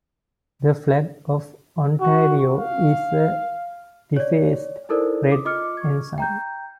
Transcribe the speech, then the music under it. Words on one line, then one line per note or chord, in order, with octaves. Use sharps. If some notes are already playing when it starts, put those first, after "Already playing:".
The flag of Ontario is a defaced Red Ensign.
F#4
F5
C#5 D5
D#4 E4 A4 A#4 C5 D5
D6 D#6
F4 D#5 D6 F6 C#7
C#6 G#6
G5 A#5 G6